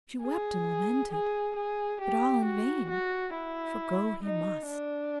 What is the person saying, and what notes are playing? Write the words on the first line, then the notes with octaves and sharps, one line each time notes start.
She wept and lamented, but all in vain, for go he must.
G#4
G#4
G#4
G4
F#4
F#4
E4
D#4
D4